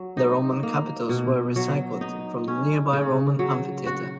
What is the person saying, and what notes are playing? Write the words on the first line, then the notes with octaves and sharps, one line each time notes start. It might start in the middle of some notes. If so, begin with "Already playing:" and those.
The Roman capitals were recycled from the nearby Roman amphitheatre.
Already playing: F#3
D#4
A#3
B2
F#3
D#4
C#4
C#3
F#3
F#4